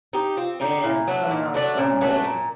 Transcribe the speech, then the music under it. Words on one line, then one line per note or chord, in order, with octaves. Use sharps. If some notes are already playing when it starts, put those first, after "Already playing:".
and somehow, some way,
D#4 G4
C4 F4
D#4 G4
A#2 E4
F#3 A3 D4
A#2 D#4
F#3 A3 D4
A#2 C#4
F#3 A3 D4
A#2